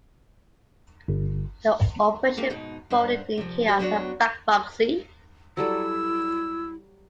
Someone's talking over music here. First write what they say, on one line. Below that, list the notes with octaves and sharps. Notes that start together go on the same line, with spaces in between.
The operation folded in chaos and bankruptcy.
G1
A3 A#3 C4 G4 A4
G#2 B2 D#4
G2 C5 F#5
C3 F3
G4 A#4 C5 D5 D#5
F#3 B3 D4 F#4 G4 C#5
F#3 G3 E4 A4 E6